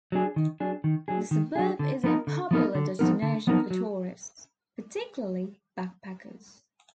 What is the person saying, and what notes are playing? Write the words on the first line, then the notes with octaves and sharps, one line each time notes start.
The suburb is a popular destination for tourists, particularly backpackers.
F#3 D4 G#4
D#3
F#3 D4 G#4
D#3
F#3 D4 G#4
D#3
F#3 D4 G#4
D3
F3 B3 D#4 A#4
D3
F3 B3 D#4 A#4
D3
F3 B3 D#4 A#4
D3
F3 B3 D#4 A#4
F#3